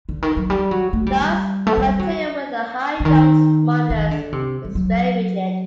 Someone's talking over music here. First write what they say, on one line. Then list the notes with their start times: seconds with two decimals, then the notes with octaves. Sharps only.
Thus, a material with a high Young's modulus is very rigid.
0.09 D3
0.22 D#3
0.37 F#3
0.50 G3
0.71 F#3
0.93 A3
1.07 G3
1.21 G3
1.67 A3
1.78 G3
1.99 F#3
3.00 D3
3.05 D#3
3.90 D#3
4.11 D3
4.32 C3
4.65 G3
4.75 F#3